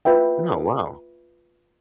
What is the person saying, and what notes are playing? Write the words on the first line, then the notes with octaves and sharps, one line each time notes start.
Oh, wow.
F4 B4 E5 G5